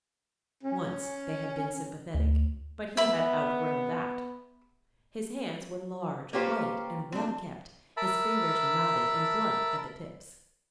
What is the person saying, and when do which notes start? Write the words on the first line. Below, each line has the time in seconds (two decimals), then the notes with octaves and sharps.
Once they had been sympathetic, but he had outgrown that. His hands were large, white, and well-kept, his fingers knotted, and blunt at the tips.
0.63 C#4
2.14 D2
2.97 B3 E5 B5
6.33 A#3 C#4 F4 G4 B4 C5
7.12 C4 D4
7.97 A#4 E5 A5 B5